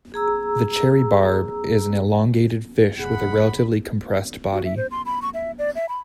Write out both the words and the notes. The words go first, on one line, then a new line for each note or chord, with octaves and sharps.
The cherry barb is an elongated fish with a relatively compressed body.
G#4 A#5 E6
F1 G#4 F#5 B5
F#4
E5
C5
C6
B5
C#6
E5
D5
E5
B5